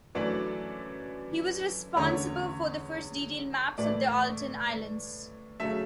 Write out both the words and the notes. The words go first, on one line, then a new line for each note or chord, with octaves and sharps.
He was responsible for the first detailed maps of the Aleutian Islands.
F#2 E3 A3 D4 D5
E2 D3 A3 C#4 C#5
A2 E3 A3 D5
C#3 F#3 A3 E5